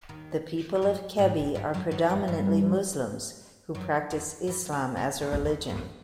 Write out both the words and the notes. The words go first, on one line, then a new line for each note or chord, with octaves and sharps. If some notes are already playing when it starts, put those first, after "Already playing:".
The people of Kebbi are predominantly Muslims who practice Islam as a religion.
D#2 D#3
F#2 F#3
G#2 G#3
G2 G3
F#2 F#3
F#2 F#3
G2 G3
G2 G3
F#2 F#3
F2 F3
E2 E3
D2 D3
C#3
D#2 D#3
E2 E3
G2 G3